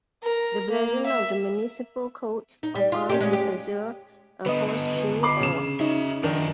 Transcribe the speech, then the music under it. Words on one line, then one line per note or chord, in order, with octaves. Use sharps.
The blazon of the municipal coat of arms is Azure, a Horse-shoe Or.
A#4
A#3
E5
D#4
G3
F4
C#4 D#4 G4
G#3 C#4
G4
D3 B3 B4 D#5
B5 D6 C7
C#3 E7
C#4 D#4 F#4 E5
F#2 D#3 F3 D4 A#4